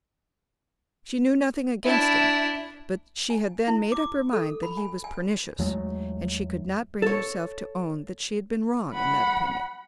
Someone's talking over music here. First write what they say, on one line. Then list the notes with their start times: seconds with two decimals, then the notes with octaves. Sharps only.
She knew nothing against him; but she had then made up her mind that he was pernicious, and she could not bring herself to own that she had been wrong in that opinion.
1.84 D4 E4
3.30 G#5
3.68 E4
3.92 D6
4.33 A4
4.63 B5
4.77 G#5
5.04 G#5
5.59 E2 F#3 G#3 A3
7.02 A4 C#5
8.94 F#5 B5